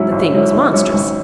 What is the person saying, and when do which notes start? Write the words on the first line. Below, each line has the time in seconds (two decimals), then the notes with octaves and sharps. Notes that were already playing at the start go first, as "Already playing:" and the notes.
The thing was monstrous.
Already playing: G#2 F#3 C#4 E4
0.12 G#1
0.32 G#2 F#3 C#4 E4
0.52 G#1
0.73 G#2 F#3 C#4 E4
0.94 G#1